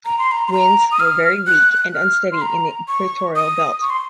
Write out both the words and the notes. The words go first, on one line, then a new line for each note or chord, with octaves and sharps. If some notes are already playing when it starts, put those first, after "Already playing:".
Winds were very weak and unsteady in the equatorial belt.
A#5
C6
A#5
C6
A#5
D#6
F6
F#6
F6
C6
A#5
C#6
D#6
C#6
C6